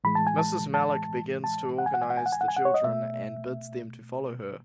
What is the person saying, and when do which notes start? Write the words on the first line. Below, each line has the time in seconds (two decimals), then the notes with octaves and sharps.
Mrs. Malik begins to organize the children and bids them to follow her.
0.04 A2 E3 G#3 B5
0.15 A5
0.27 G#5
0.38 A5
0.74 A5
1.44 A5
1.78 F#5
1.86 G#5
1.94 F#5
2.02 G#5
2.10 F#5
2.17 G#5
2.26 F#5
2.32 G#5
2.41 F#5
2.48 G#5
2.57 F#5
2.65 C#5
2.74 D#5
2.84 B2 A3 E5